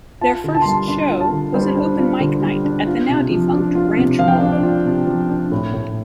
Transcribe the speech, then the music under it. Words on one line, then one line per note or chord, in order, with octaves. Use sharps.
Their first show was an open-mic night at the now defunct Ranch Bowl.
F4 A5
D3
A5
C6
G3 A5
D4 C6
F4
A5
D3
G3 C5
D4
F4
D3
G3
D4
F4
C3
F3
D4
F4
C3
F3 F5
G5
D4 F5
D5
F4
C3
F3
D4
A2
A2